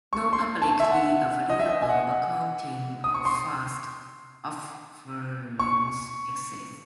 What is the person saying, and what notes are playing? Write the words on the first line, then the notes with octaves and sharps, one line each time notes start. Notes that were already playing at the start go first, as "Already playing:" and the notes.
No publicly available accounting of fast offerings exists.
C#6
C6
A5
E5
F#5
D#5
E5
D#5
G#5
F#5
D#6
C#6
C6
C#6